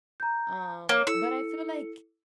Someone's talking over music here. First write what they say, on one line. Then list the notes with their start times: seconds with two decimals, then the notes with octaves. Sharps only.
Um, but I feel like
0.20 A#5 G6
0.89 A#3 C#5
1.07 E4 A4 E6 C#7